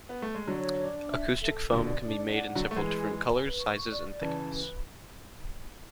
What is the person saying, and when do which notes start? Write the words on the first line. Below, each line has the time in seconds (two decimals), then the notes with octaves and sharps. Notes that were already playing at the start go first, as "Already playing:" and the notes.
Acoustic foam can be made in several different colors, sizes and thickness.
0.09 B3
0.22 A3
0.35 G#3
0.47 D3 F#3 C#5
0.79 D4
1.10 E5
1.41 A4
1.72 B2 D3 D5
2.04 D4
2.35 F#5
2.55 D3 F#3
2.66 A3 G#4
2.76 E3 G#3
2.97 G#5
3.28 B4
3.60 C#6
3.91 D5
4.21 C#3 E3 A5
4.53 B4